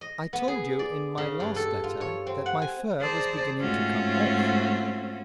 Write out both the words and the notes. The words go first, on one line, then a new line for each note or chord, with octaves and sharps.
I told you, in my last letter, that my fur was beginning to come off.
D#5
B3
G#4
D5
C#3
G2
A4
F4
C#5
C4
F#5
G#5
G#4 C5 D5 A5 A#5
G#2 A3 C4 C#4 F4 F#4